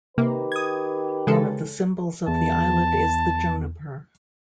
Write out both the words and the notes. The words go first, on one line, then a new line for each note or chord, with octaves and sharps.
One of the symbols of the island is the juniper.
C3 D#3 A#3 G4 B4
D#6 G#6
C#3 G#3 A4
E2 A5